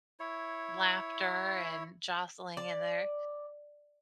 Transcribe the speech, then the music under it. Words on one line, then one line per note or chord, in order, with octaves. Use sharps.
laughter and jostling in there.
E4 C#5
D5